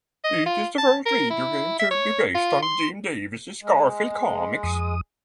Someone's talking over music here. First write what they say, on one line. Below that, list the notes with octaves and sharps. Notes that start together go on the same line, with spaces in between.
It is the first video game to be based on Jim Davis' "Garfield" Comics.
D#5
F4
A5
A#4
E4
E5
C#5
F4
C6
G#3
F2 D#6